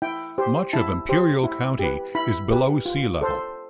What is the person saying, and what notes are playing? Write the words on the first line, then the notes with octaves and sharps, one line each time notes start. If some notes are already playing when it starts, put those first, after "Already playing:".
Much of Imperial County is below sea level.
E4 G5
G4 C5
E4 A5
G4 C5
E4
G4 B4
E4 B5
G4 B4
F4
A4 C5